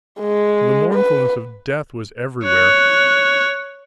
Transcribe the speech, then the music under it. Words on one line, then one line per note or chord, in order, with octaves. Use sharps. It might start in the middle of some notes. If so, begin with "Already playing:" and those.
The mournfulness of death was everywhere.
G#3
B4
C#5 F#6